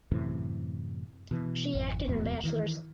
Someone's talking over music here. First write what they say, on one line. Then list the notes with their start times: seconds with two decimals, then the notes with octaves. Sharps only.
She acted in "Bachelors".
0.12 F#2 A2 C3 E3
1.31 B2 E3
1.75 G#1 F2
2.07 D1 E2 G#2 B2
2.44 D#3 E3